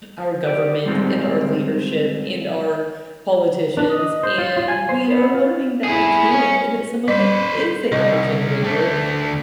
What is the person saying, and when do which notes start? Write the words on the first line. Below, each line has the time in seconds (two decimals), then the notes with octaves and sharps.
our government and our leadership and our politicians, and we are learning that we can't, and that some of it is AI generated,
0.44 G4 D5
0.86 G3 G#3 C4 D#4 F4 G4
3.77 D4
3.90 D#5
4.23 C5
4.38 F4
4.57 F4
4.68 G#5
4.89 C5
5.05 B3
5.34 F4
5.84 E4 G#4
6.31 C#4
7.08 G3 B4 C5
7.92 C2 D#5
8.64 D2 A3